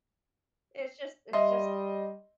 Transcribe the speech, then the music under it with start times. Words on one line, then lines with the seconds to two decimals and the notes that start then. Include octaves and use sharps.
it's just it's just
1.33 G3 D#5 E5 C6